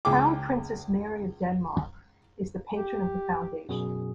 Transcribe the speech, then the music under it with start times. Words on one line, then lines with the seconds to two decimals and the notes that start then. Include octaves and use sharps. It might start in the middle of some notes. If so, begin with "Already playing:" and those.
Crown Princess Mary of Denmark is the patron of the Foundation.
0.05 C#2 G#4 G5 D6
2.73 G4
3.69 F#2 B2 G#4